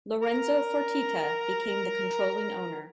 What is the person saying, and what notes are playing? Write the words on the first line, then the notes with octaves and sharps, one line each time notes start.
Lorenzo Fertitta became the controlling owner.
A#4 A#5